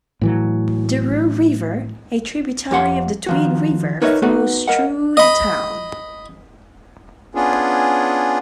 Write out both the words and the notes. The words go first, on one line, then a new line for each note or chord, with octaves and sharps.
The Rous River, a tributary of the Tweed River, flows through the town.
A2 E3 F#3
F2 G4 F#5 C6
D#3 F3 F#4
D#4 A#4 B4 C#5 D#5 E5
B3 D#4 F#4 B4
A#4 D#5 F5 F#5
D#5 B5
B3 C#4 D4 F4 G#4